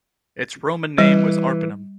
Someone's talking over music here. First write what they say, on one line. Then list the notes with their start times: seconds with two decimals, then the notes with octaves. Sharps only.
Its Roman name was Arpinum.
0.98 E3 G3